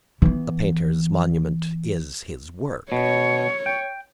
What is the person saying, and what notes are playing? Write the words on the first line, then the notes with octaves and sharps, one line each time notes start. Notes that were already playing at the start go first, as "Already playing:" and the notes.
A painter's monument is his work.
E3 B3
B2 C#5
G5